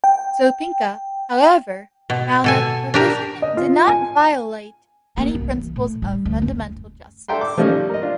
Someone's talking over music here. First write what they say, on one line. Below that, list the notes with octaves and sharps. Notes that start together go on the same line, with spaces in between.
Sopinka, however, found that the provision did not violate any principles of fundamental justice.
G5
B2
B2 A4 G#5
D4 G4 A#4
D#5
F4
G#5
A#3
C2
E3
A2
G3
D2
F#1
D4 A4 E5 G5 A#5 C6
D6
F3 G3 A3 A#3 C#4 D#4
G3
A#4 D#5
D4 F4